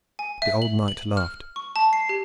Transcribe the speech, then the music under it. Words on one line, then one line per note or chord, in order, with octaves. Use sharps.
The old knight laughed.
G#5
E5
F#7
F#7
F6
C#6
A5
C7
G4